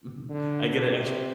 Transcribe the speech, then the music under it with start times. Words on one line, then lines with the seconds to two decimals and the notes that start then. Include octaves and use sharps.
Mhm, I get it extr
0.29 D3
0.87 C3